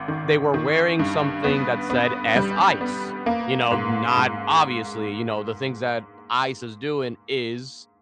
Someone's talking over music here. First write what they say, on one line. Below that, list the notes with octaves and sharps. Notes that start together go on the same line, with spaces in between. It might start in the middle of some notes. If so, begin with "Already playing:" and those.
they were wearing something that said F Ice, you know, not obviously, you know, the things that ICE is doing is
Already playing: G#1
D#3
D#3
G2
B3
B3
G3
B3
A#3
G#2
G#2